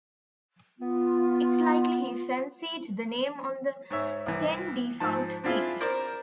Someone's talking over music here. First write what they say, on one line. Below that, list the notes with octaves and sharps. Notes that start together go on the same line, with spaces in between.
It's likely he fancied the name of the then-defunct weekly.
B3 F4
G#2 C#5 E5
C2 E3
G#2 F3 A5
C4 D4 E4 F4 G#4
A#4 C5 D5